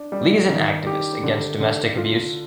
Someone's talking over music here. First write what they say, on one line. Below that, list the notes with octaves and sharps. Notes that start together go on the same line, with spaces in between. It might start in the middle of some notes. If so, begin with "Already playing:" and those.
Lee is an activist against domestic abuse.
Already playing: D4
G3
D#3
G4
D3
D3
F4